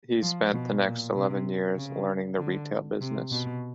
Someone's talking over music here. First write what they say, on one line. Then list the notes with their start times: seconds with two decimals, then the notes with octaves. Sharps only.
He spent the next eleven years learning the retail business.
0.22 F3
0.53 B2
0.84 A#2
1.15 C3
1.76 C#3
2.38 D3
3.01 C3
3.31 B2